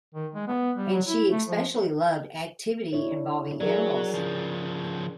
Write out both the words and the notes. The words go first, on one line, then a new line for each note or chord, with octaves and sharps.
And she especially loved activity involving animals.
D#3
G#3
B3
G3
F#3
E4
A3
F3
D4 E4 C#5
F#3 G#4 A#4 D5
C#3 F3